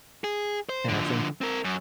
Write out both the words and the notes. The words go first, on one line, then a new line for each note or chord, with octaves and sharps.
And I think
G#4
C5
D3 F3
C4 A#4
F#2